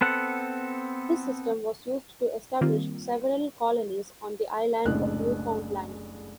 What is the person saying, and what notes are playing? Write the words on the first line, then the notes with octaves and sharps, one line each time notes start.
This system was used to establish several colonies on the island of Newfoundland.
B3 C4 A4 F#5
D#3 G3 A#3 C4 F4
F#1 C2 A2 G#3 D4 F#6